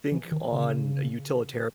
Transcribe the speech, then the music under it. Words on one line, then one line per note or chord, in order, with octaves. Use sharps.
think on a utilitar
E3
D#3
C#3